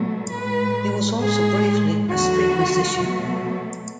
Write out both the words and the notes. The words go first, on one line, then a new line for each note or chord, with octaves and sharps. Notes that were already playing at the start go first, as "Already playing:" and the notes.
He was also, briefly, a street musician.
Already playing: B2 F#3 A3
A2 G#3 B4
A2 G#3 G#4
E2 D3 F#3 A3 F#4
B2 F#3 A3